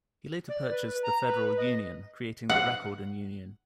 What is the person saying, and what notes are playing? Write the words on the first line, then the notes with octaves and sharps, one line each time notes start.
He later purchased "The Federal Union", creating "The Record and Union".
D5
B4
A#5
B4
D#5
F#5